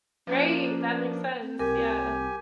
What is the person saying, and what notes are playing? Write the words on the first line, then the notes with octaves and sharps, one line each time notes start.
Right, that makes sense, yeah.
F3 A#3 C#4 D4
C4
C2 G4 A#4 G#5